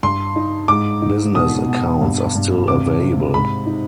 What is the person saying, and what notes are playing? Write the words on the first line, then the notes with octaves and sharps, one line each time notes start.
Business accounts are still available.
G2 C6
D#4
G#2 D6
D#4
B2 D#6
B2
G2
G2
C3 D6
C3
G#2 B5
D#4